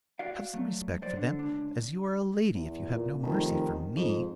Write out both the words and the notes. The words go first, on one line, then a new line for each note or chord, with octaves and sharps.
Have some respect for them, as you are a lady, if you have no mercy for me.'
F#4 D5 F5
F#3 A3
F#3 C5 D5
D3
C#2 D4
E2
A#2
F1 D#3
F2 G#2